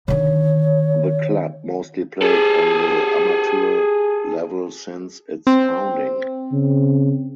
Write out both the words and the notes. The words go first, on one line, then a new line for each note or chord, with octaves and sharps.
The club mostly played on the amateur level since its founding.
D3 D#3 C#5
G#4 A4
C4
C#3